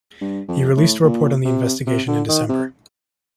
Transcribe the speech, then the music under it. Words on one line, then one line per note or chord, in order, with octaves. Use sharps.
He released a report on the investigation in December.
G2
F2
A2
A#2
C3
C3
D3
D#3
C3